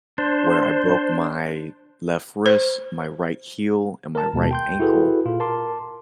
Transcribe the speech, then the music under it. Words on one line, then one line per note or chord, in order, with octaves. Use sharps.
where I broke my left wrist, my right heel, and my right ankle,
D4 C5
C5
A#4 A5
D#2 B2 G#3 A5
G5 C6 G6
E4 F#4 G#4 A4 B4
A#2 F4
A#4 A5 C6 D6